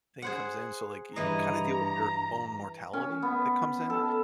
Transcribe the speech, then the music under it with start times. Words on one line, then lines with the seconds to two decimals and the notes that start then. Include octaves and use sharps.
thing comes in, so, like, you kinda deal with your own mortality that comes in,
0.22 G#4 C5 F#5
1.16 G2 E3 D#5 A#5
2.93 C#4
3.22 B3
3.90 A4